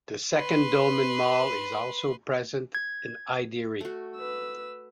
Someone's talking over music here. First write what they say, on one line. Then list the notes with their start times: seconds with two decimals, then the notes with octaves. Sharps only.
The second Dolmen Mall is also present in Hyderi.
0.34 B4 C6
2.75 G#6
3.81 A3 F#4
4.16 B4 E6